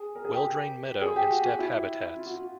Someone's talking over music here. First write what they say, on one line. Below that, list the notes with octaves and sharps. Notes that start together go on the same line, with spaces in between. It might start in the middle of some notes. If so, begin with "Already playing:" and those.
Well-drained meadow and steppe habitats.
Already playing: G#4
A#4
G#4
G4
G#4
G4
F#4
F#4
E4
F4
F#4
F4